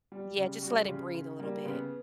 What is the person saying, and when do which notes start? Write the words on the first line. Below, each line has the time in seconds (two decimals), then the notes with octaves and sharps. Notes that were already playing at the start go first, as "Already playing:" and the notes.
Yeah, just let it breathe a little bit.
0.12 G3
0.37 C#3
0.63 G3 F#4
0.88 C#3
1.14 C#3
1.39 G3 A#3
1.65 C#3 B3